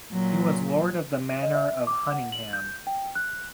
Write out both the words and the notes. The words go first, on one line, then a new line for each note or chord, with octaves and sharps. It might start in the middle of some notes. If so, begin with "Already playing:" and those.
He was Lord of the Manor of Hunningham.
A#2 F#3
D#5
E5
D6
F#5
F#7
G6
G5
F#6